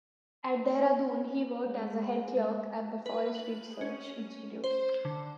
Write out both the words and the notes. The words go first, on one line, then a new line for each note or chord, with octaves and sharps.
At Dehradun he worked as a head clerk at the Forest Research Institute.
G#3
B4
F#7
C#4
C5
D3